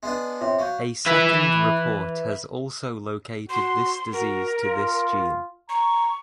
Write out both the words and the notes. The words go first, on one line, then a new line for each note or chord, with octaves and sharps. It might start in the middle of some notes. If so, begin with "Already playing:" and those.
A second report has also located this disease to this gene.
G#3 B3 D4
C3 F4 C#5 C6
F#3 F5 C#6 G6
B4 E5
F#4 C6
F#4 A#4
F4
A#5 C#6